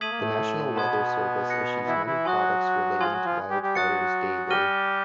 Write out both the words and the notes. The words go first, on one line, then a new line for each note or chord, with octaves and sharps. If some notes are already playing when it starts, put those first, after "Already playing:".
The National Weather Service issues many products relating to wildfires daily.
A3 D#6 G#6 B6 D#7 F#7
A#3
A2 A3
B2 B3 A5 C6 D#6 G#6
F#6 A#6 C#7
E3 E4
E3 E4
F#3 F#4 G#5 C6 D#6 F#6
F3 F4 G#5 C6 D#6 G#6
F#3 F#4
F3 F4
G3 G4
G3 G4
F#3 F#4 D#6 F#6 A6 C#7
G3 G4 F6 A#6 D#7 G7